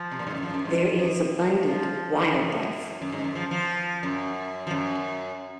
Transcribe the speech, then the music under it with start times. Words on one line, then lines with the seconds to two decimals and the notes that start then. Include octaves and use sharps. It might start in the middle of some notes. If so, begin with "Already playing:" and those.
There is abundant Wildlife.
Already playing: F3
0.11 C3
0.19 A#2
0.27 G#2
0.35 F#2
0.43 F3
0.50 G#2
0.54 F#2
0.65 G#2
0.99 F#2
1.66 F3
2.34 F#2
3.02 F#2
3.12 G#2
3.24 F#2
3.35 F3
3.51 F3
4.03 F#2
4.67 F3
4.71 F#2